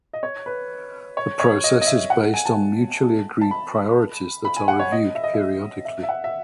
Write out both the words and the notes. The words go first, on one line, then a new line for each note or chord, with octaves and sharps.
The process is based on mutually agreed priorities that are reviewed periodically.
D#5
C#5
B4
C#5
C#5
D#5
D#5
E5
F#5
G#5
A5
A5
B5
B5
G#5
F#5
C#5
D#5
E5
D#5
E5
E5
E5
F#5
E5